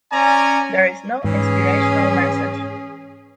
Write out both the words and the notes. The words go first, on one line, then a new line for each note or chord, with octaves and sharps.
There is no inspirational message.
C#4 D5 G#5 A#5
G#2 E3 C#4 G#4